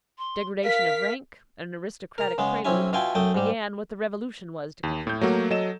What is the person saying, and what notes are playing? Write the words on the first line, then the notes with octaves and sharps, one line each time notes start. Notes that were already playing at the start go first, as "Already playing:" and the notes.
Degradation of rank, an aristocratic prelude, began what the revolution was to complete.
C6
A#4 F5 B6
A#4 A#5
C#3 G#3 B3
B1 C4 C#4 E4 G#5
B2 E4 F4 G5 G#5
F#2 A3 G5 D#6
G#2 G3
D#2
A2 G6
F#3 A3 A#3 F#4
F#3 A4 D#5 E7